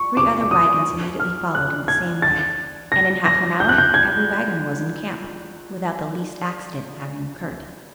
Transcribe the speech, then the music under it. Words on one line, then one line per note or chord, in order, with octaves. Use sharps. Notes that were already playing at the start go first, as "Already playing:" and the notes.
Three other wagons immediately followed in the same way, and in half an hour every wagon was in camp, without the least accident having occurred.
Already playing: C#6
D6
D6
D#6
F6
F#6
G#6
A6
A#6
A#6
G6
F#6
G6
G#6